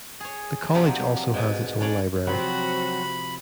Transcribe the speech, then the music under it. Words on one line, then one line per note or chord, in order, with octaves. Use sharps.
The college also has its own library.
G#4 C#5
C3 F3 F#3 A#3 D4 G4
G#2 B2
C#4 D4 C#5 D5
C3 F3 F#3 C4 F#4 B5